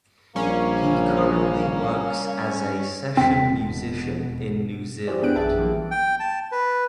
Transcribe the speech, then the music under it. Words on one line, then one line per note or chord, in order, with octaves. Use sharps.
He currently works as a session musician in New Zealand.
A#1 G3 A#3 C#4
E1 B2 C4 B6
E4 G4 G#4 C5 D5
B3 D4 G5 F#6 D7
A#1 F#2 G#4 E5 A5 A6
E3 F3 G3 A#3
G5
A5
B4